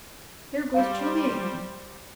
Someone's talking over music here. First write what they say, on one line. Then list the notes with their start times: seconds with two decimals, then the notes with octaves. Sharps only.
There goes Julia in.
0.74 G3 C5 F5